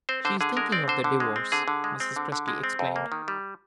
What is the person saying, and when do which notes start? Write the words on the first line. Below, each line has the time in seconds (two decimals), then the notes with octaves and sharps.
"She is thinking of the Divorce," Mrs. Presty explained.
0.09 C4 C5
0.25 D3 C5
0.41 D3 G#4
0.57 G#3 A#4
0.72 C4 D5
0.88 D3 C5
1.04 D3
1.20 G#3
1.36 C4
1.52 D3 G#4
1.68 D3
1.84 G#3
2.00 C4
2.16 D3
2.32 D3
2.48 G#3
2.64 C4
2.79 F2
2.96 A#3
3.12 D#3
3.28 G3